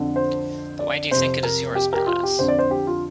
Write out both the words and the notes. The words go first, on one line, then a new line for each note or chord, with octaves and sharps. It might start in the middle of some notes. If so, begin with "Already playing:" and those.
But why do you think it is yours, my lass?
Already playing: F2 D3
C5
D5
F2 C3 C5
A#4
G4
A#4
G4
F4
G4
F2 D3 C5
D5
C5
G4
F4